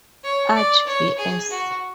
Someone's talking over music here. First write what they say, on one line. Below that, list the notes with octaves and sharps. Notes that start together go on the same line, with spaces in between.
Archie vs.
C#5
D5
C#5
G#4
F#4